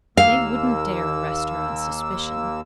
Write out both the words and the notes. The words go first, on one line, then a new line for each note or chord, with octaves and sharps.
"They wouldn't dare arrest her on suspicion."
D#2 A#3 F5 E6